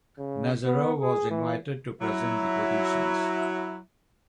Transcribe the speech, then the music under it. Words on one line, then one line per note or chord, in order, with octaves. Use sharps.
Nazarov was invited to present the positions.
C#3
B3
G#4
E3
F#3 E4